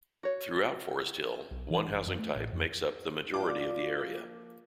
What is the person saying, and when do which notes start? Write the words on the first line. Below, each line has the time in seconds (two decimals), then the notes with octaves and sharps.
Throughout Forest Hill, one housing type makes up the majority of the area.
0.23 F#4 C#5
1.51 B1
1.70 E3
1.90 F#1
2.06 F#2
2.19 A3
2.35 A1
2.53 F2
3.34 F4 D5 D6
4.02 F3 A#3